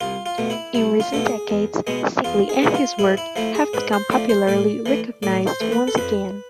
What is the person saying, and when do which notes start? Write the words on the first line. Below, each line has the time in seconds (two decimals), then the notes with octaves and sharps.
In recent decades, Stickley and his work have become popularly recognized once again.
0.01 C2 F4
0.26 F4
0.38 B2 A3
0.50 E4
0.74 C2 E4
1.00 F4
1.12 B2 A3 A4
1.25 G#4
1.49 E2
1.87 B2 G#3 B3
2.24 E2 F4
2.49 G#4
2.62 B2 G#3 B3
2.74 F4
2.99 G#2 E4
3.17 E4
3.36 F3 A3 E4
3.55 G#4
3.73 G#2 B4
3.93 C5
4.11 F3 A3 D5
4.29 C5
4.48 A2 D5
4.86 E3 A3
5.23 A2 D5
5.47 C5
5.60 E3 A3
5.72 B4
5.88 A4
5.98 F2 B4